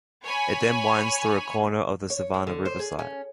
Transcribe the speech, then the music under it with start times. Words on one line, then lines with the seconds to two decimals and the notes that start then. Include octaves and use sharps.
It then winds through a corner of the Savannah River Site.
0.24 C#5 G#5 B5
2.10 C#5
2.34 G#3
2.47 D3
2.65 C5
2.79 G#4
2.99 C#4